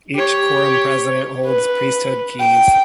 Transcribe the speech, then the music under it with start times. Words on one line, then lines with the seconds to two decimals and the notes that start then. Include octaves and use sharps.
Each quorum president holds priesthood keys.
0.14 G4 C#5
1.45 B4
2.40 G5